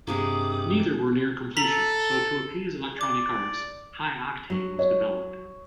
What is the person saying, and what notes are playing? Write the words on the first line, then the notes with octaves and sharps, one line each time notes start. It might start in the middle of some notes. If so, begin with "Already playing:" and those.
Neither were near completion, so to appease Electronic Arts, "Hi-Octane" was developed.
G2 C3 G#3 A#3 D4 D#6
A4 A#5 B6 F#7
D5 D6
F#3
C#5